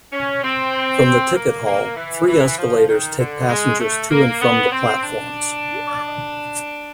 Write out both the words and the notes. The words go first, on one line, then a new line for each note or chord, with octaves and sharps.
From the ticket hall, three escalators take passengers to and from the platforms.
C#4
C4
A#3
A#3
E3
E3
F3
D#3
D3
G#3
A3
A#3
B3
C4
D4